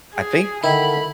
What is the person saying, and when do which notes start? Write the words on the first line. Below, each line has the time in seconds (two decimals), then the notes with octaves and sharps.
I think
0.14 G#4
0.64 D3 D#3 E4 B5